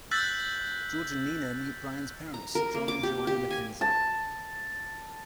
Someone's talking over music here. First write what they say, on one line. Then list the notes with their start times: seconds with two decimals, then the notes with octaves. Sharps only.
George and Nina meet Bryan's parents, John and Joanna MacKenzie.
0.11 E6 F#6 G6 A6 B6 F#7
2.34 A#5
2.55 A#4
2.75 A#3
2.88 D6
3.03 G4
3.27 G4
3.51 G#5
3.81 A5